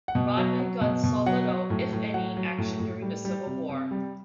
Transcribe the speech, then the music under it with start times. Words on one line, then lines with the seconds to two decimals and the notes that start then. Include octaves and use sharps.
Rodman guns saw little, if any, action during the Civil War.
0.08 F#5
0.15 B2
0.37 F#3
0.59 F#3
0.81 B2
1.03 B2
1.26 F#3 F#5
1.48 F#3
1.70 A2
1.93 A2
2.14 F#3 F#5
2.37 F#3
2.58 A2
2.80 A2
3.02 G3
3.25 G3
3.46 C3
3.69 C3
3.91 G3